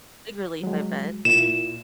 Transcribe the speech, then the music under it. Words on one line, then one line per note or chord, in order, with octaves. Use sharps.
big relief, I bet.
F#3 G#3
A#2 E4 F4 E7